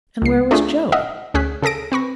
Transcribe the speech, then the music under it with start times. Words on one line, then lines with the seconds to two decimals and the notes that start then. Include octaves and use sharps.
And where was Joe?
0.22 C#2 C7
0.51 A3 D4 F4 G#4
0.92 D#5 E5 F#5 D#6 F6
1.34 D2 C#4 G#4 F#6 B6
1.62 C#3 G#4 A4 A#6 D7
1.92 C4 B4 C#6 A#6